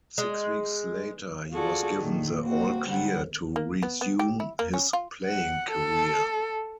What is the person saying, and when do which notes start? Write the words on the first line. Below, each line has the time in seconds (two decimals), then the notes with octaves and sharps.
Six weeks later, he was given the all-clear to resume his playing career.
0.18 G#3
1.53 F4 F#4 G#4 A4 D5
1.96 A#2 D#3
2.42 A#3 C4 F#4
2.86 D3 G3 F#5
3.56 A#3
3.83 B3
4.01 B3
4.19 G4
4.40 E4
4.59 A#3
4.74 C#4
4.93 F4
5.25 F#5
5.70 A4